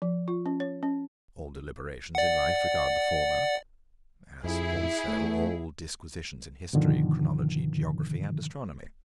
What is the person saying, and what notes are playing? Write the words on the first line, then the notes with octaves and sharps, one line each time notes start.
All deliberations in life regard the former; as also all disquisitions in history, chronology, geography, and astronomy.
F3
F4
C#4
C#5
C#4
D5 F#5
F2 E4 G#4
A3
G2 B2 D3 D#3 F3